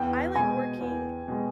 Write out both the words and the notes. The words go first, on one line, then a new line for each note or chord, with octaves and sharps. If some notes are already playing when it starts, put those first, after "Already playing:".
I like working
Already playing: E2 G5
B2 G#3 G#5
E2
B2 G#3